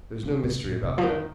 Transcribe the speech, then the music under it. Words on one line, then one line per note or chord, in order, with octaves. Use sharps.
There is no mystery about that.
C#3
C3
A#2
C3
F3
D#3